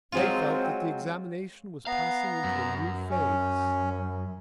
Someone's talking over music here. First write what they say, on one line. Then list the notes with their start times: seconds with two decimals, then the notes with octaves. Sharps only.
They felt that the examination was passing into a new phase.
0.12 F#3 G#3 C4 F4
1.87 B3 F5 A#5
2.44 F#2
3.10 C#4